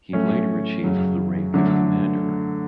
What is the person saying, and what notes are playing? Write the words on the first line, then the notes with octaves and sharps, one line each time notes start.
He later achieved the rank of commander.
A2 F#3 A3 C#4
F#2 C#3 F#3
D3 F#3 A3